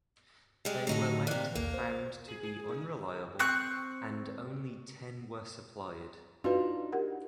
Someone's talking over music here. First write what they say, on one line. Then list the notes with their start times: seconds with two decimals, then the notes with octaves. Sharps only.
They were later found to be unreliable, and only ten were supplied.
0.65 G3 G#3
0.87 A2 D3 F#3 A3 D#4 A4
1.27 C3 A#3 D5 F#6
1.55 B1 E2 A#3
1.74 C5
2.28 G#4
2.43 G#4
2.68 D#4
3.39 C4 C#6 F#6
6.44 D4 D#4 F4 F#4 B4
6.92 G4 A#4 F#5